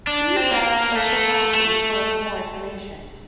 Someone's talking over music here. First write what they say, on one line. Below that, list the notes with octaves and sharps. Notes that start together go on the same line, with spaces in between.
See Dutch orthography for more information.
D4
C4
A#3
A3
A3